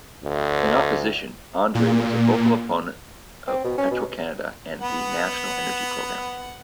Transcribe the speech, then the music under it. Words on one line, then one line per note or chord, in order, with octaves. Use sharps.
In opposition, Andre was a vocal opponent of Petro-Canada and the National Energy Program.
D2
A#2
C4
B2
C#4
B2
B3 F#5